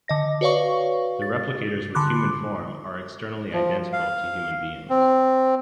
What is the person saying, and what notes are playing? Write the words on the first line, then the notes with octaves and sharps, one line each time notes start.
The replicators with human form are externally identical to human beings.
D3 D#5 A#6
F#4 B4 C#5 D5 F5 C#6
A6
D3 B5 C6 D6 F#6
F3
F5
C4